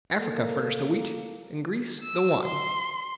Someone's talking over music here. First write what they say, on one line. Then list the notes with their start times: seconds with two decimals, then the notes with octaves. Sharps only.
Africa furnished the wheat, and Greece the wine.
0.17 A#3 A4
2.03 E6
2.45 C6